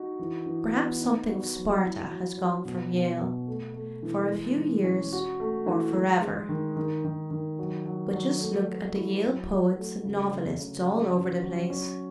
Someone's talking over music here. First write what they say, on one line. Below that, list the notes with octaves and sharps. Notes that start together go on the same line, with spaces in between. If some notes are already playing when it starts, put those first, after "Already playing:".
Perhaps something of Sparta has gone from Yale, for a few years or forever, but just look at the Yale poets and novelists all over the place.
Already playing: D#4 F#4
E3
E3
B3
D#4
F#4
F#3
E4
F#3
F#3
B2
B2
B2
A3
A3
E3
G#3
E3
C#4
F#4
A3
E3
G#3
G#3
D#3
D#3
D#3
D#3
F#3
F#3
F#3
A3
F#3
E4
F#3
F#3
A3
C#3
C#3
C#3
F#3
C#4
F#3
C#4